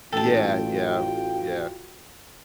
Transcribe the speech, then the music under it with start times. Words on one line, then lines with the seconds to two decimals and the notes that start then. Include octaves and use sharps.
Yeah, yeah, yeah.
0.12 A1 F4 F#4 A4 G5 A5